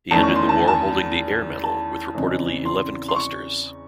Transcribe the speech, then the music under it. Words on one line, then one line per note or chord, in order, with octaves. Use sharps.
He ended the war holding the Air Medal with reportedly eleven clusters.
E2 D#3 A3 C#4 A5
C#6
C6
A5
G#5
A5
A5
E2 C#3 E3 C4 D#4
C6
C6
C#6